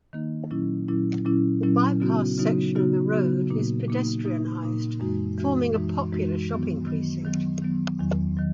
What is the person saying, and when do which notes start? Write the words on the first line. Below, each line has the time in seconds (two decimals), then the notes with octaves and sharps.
The bypassed section of the road is pedestrianised, forming a popular shopping precinct.
0.13 D#3 A#3 D#4
0.51 A#2 F#3 C#4 E4
0.88 A#2 F#3 C#4 E4
1.25 A#2 F#3 C#4 E4
1.63 A#2 F#3 C#4 E4
2.00 C#3 F#3 B3 D#4 F#4
2.38 C#3 F#3 B3 D#4 F#4
2.75 C#3 F#3 B3 D#4 F#4
3.13 C#3 F#3 B3 D#4 F#4
3.50 A#2 A#3 D#4
3.88 A#2 A#3 D#4
4.25 A#2 A#3 D#4
4.63 A#2 A#3 D#4
5.00 F#2 E3 G#3 D#4 F#4
5.37 F#2 E3 G#3 D#4 F#4
5.75 F#2 E3 G#3 D#4 F#4
6.12 F#2 E3 G#3 D#4 F#4
6.49 D#3 F#3 B3
6.87 D#3 F#3 B3
7.25 D#3 F#3 B3
7.62 D#3 F#3 B3
7.99 E2 D#3 F#3
8.37 D#3 F#3